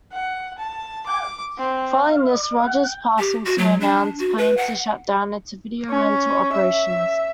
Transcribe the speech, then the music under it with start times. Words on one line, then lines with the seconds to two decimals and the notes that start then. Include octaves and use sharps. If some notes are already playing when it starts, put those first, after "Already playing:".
Following this, Rogers Plus also announced plans to shut down its video rental operations.
0.12 F#5
0.59 A5
1.07 D6
1.59 C4
3.19 G4
3.46 F#4
3.58 F#3
3.81 D4
4.20 F#4
4.38 B4
4.57 F#5
5.90 C#4
6.53 E5